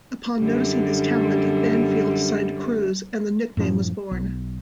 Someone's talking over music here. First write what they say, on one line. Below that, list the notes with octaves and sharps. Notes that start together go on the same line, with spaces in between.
Upon noticing his talent, Banfield signed Cruz, and the nickname was born.
F#2 D3 G3
F#2 A2 F3 C#4
B1